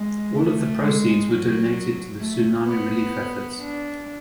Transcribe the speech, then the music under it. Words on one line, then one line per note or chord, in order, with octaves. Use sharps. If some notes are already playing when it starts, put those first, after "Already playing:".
All of the proceeds were donated to the tsunami relief efforts.
Already playing: G#3
A3
G#3
F#3
A3
B3
D4